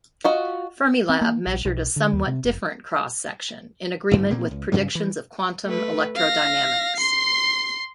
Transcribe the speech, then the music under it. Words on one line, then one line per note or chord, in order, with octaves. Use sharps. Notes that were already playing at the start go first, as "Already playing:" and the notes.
Fermilab measured a somewhat different cross section, in agreement with predictions of quantum electrodynamics.
F4 F#4 D#5
C4
A#3
A#1
B1
D3
D#2
C3
F1
A1 G2 D3
A#2 A#3 C4
C#2
G2 C#3 F#3 G3
E3
A3 B4
F5 A#6
C6 C7